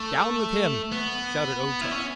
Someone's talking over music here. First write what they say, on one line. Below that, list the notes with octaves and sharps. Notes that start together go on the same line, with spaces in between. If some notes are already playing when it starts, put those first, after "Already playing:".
"Down with him!" shouted O-Tar.
Already playing: A3
B3
E4
C#4